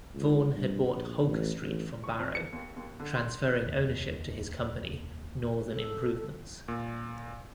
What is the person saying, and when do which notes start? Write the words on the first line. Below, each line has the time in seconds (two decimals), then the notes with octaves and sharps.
Vaughan had bought Holker Street from Barrow, transferring ownership to his company "Northern Improvements".
0.15 C#2
0.56 G2
0.92 A#1
1.26 A1
1.61 A1
2.04 C#6
2.19 F2
2.35 C#7
2.53 D#2
2.76 D#2
3.00 D3
3.15 C6
3.63 F1 D#2
5.73 A4
6.68 A#2